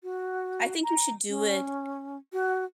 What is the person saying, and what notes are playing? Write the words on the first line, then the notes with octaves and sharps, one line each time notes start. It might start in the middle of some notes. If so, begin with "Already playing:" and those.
I think you should do it,
F#4
A#5
C#4
F#4